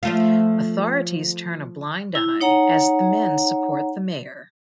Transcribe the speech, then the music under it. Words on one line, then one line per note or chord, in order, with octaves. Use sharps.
Authorities turn a blind eye as the men support the mayor.
F3 A3 F4
E4
D#4 C#5 F#5 A#5